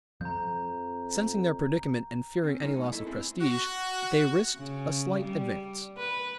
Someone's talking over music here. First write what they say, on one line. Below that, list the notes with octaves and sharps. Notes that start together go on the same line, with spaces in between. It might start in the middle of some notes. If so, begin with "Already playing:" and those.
Sensing their predicament and fearing any loss of prestige, they risked a slight advance.
F2 F3 C4 A#5 G6
C4 C#4
F#3 G#3 A#3 C#4 D#4 F4
A3
A#3 E4 A4 D#5 A5
B3 C4 E4 G#4
F#4
C#3
G3
B4